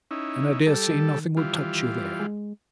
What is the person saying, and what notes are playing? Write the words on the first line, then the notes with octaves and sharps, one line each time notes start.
And I dare say nothing will touch you there.
C#4 D#4 E4
G3 A4
D#3
E3 G3 F4
G#3